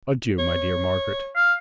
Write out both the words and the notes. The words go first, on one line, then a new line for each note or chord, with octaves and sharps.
Adieu, my dear Margaret.
C#5
F5